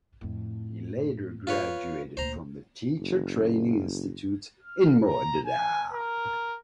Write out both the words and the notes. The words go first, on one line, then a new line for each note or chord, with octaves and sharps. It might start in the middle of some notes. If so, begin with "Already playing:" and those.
He later graduated from the teacher training institute in Modra.
F2 A2
F4 B4 C#5
D2 A#2 C5 A#5
F#1
F6
A#5
G#5
A#4